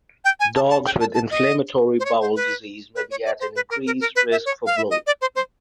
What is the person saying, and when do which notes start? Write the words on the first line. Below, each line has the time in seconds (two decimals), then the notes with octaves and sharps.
Dogs with inflammatory bowel disease may be at an increased risk for bloat.
0.25 G5
0.40 G#5
0.55 A5
0.70 A5
0.86 G5
1.00 A5
1.15 A5
1.31 D#5
2.00 C5
2.05 C#5
2.21 C5
2.36 B4
2.96 B4
3.11 C#5
3.26 D5
3.40 C5
3.56 B4
3.70 A#4
3.86 A#4
4.01 A#4
4.16 B4
4.31 E5
4.45 C#5
4.66 F5
4.77 E5
4.90 D#5
5.07 D5
5.21 C5
5.36 C5